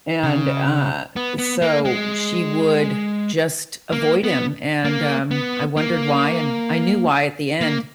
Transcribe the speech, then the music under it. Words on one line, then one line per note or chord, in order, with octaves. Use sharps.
and, uh, so she would just avoid him, and, um, I wondered why, and I knew why at the end,
C#3
B3
B3
A#3
G#3
A#3
B3
A#3
B3
A#3
A#3